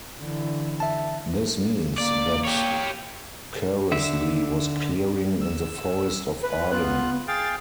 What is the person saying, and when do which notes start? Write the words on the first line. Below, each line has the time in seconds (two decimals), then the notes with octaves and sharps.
This means that Keresley was clearing in the Forest of Arden.
0.20 D3 E3
0.80 E5 A5
1.98 A#3 D5
2.45 G4 C#5
3.91 D3 E5
5.41 E6
6.43 B4
6.72 B3 F4 F#6
7.28 G#4 F5 G5 A6